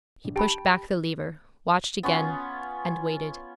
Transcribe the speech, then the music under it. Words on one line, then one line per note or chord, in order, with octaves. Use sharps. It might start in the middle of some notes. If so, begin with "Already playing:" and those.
He pushed back the lever, watched again, and waited.
A#1
G4 G5 A5 B5 D7
B3 C#4 F4 C#6